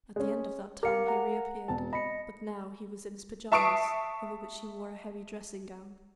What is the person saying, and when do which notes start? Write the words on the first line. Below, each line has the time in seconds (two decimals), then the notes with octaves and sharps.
At the end of that time he reappeared, but now he was in his pyjamas, over which he wore a heavy dressing-gown.
0.16 G#3 C#4
0.83 G4 A#4 F5 C#7
1.07 F#5 A#5
1.68 E1 A5
1.93 D#5 B5 C#7
3.52 E5 A5 C#6 D#6 C7 D7